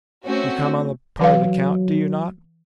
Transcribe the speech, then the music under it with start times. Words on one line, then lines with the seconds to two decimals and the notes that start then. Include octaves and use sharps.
"You come on the part of the count, do you not?"
0.25 A3 C4 C#4 F#4
1.19 E3 F#3 B4 F5